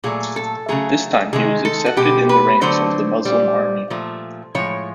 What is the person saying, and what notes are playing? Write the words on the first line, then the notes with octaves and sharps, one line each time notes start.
This time he was accepted in the ranks of the Muslim army.
A#2 F#3 A3 G#4
A4
C#3 F#3 A3 G#4
C3 D#3 G#3 G#4
A4
F#4
B2 G#3 G4
B4
D3 F#3 A3 C5
A#2 G3
A#2 F3 A3
A2 F3 G#3 C#5